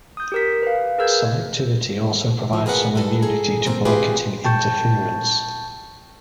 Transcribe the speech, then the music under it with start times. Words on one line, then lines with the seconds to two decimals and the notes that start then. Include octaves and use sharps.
Selectivity also provides some immunity to blanketing interference.
0.17 D#6 G6
0.32 G4 A#4 B6
0.62 B4 F5
0.98 G#4 A#4 B4 E6 G6 G#6
2.53 D#3 F3 F4
2.66 F4 G#4 A#4 B4 F#5
2.95 G3 D4 A4 B4
3.22 G#4 A4 A#5
3.66 A#3 C4 A#5
3.85 C4 F4 G4 G#4 B4
4.44 G5 A5 C#6 G6